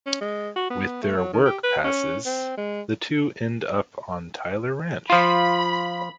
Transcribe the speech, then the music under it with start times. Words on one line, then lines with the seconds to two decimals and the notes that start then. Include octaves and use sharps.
With their work passes, the two end up on Tyler Ranch.
0.06 C#4
0.21 G#3
0.56 F#4
0.70 B3
1.03 A3
1.17 F#3
1.33 D#3
1.46 G4
1.63 B4
1.84 C#4
2.26 C4
2.57 G#3
5.10 F3 F4 B5